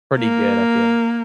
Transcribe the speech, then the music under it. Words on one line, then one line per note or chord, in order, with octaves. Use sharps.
pretty good, I feel.
A#3